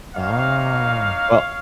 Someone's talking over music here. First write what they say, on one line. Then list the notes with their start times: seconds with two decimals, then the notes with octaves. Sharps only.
Oh, well
0.15 A#3 D#4 C#5 F5